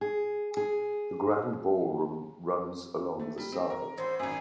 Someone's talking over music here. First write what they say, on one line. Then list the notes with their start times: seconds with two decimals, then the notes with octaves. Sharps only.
The grand ballroom runs along the side.
0.01 G#4
0.57 G#4
3.20 A3
3.38 G3
3.52 C4
3.70 A#4
3.98 A1 C5
4.19 G#1 F#2 G#5